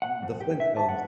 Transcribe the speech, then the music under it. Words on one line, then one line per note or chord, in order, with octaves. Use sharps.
M The Flintstones.
F#5
F2
G4
E5
A5
F#5